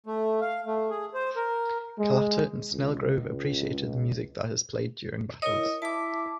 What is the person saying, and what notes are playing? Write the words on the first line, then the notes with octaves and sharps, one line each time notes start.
Kalata and Snelgrove appreciated the music that is played during battles.
A3
F5
A3
G#4
C5
A#4
G#3
C#2
E4 A#4 C#5 D#5
E4 A5 D6